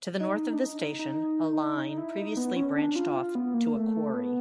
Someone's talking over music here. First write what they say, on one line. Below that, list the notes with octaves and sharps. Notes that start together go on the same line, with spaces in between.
To the north of the station, a line previously branched off to a quarry.
D#4
D4
D#4
D#4
D#4
E4
D#4
B3
C#4
D4
F4
B3
A#3
A3
B3